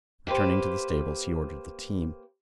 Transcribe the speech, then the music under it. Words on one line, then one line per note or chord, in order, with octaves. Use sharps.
Returning to the stables, he ordered the team.
A#3 G4 B4 C5